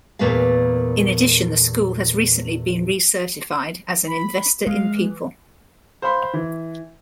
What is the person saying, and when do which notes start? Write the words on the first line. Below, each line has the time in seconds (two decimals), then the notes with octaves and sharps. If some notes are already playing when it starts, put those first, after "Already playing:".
In addition the school has recently been re-certified as an investor in people.
0.19 E2 A#2 A3 A#3 B4 F5
4.08 B5
4.67 G#3 F5
4.93 E3
6.02 C5 F5 B5 C6
6.33 E3